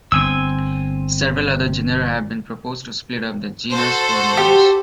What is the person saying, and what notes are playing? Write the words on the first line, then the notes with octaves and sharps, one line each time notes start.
Several other genera have been proposed to split up the genus "Oriolus".
G1 C4 G#5 E6
F#4 A4 C5
G4